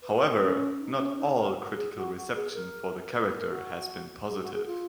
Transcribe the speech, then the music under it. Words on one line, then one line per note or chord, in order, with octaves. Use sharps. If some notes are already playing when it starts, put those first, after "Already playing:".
However, not all critical reception for the character has been positive.
B4
A#4
F#4
C#4
D#4
C#4
D#4
A#4
F#4
G#4
F#4
F#4
G#4
A#4
B4
B4
A#4
F#4
G#4
F#4
G#4
F4